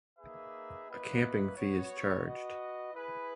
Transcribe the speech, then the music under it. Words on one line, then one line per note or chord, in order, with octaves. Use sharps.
A camping fee is charged.
A#3 D#4 G#4 B4 E5
A#3 E4 B4 D#5 F#5
B3 F#4 C#5
F#4 B4 D#5
E4 G#4 B4